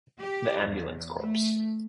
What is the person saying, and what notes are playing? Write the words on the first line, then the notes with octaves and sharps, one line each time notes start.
The Ambulance Corps.
G4
E2
A3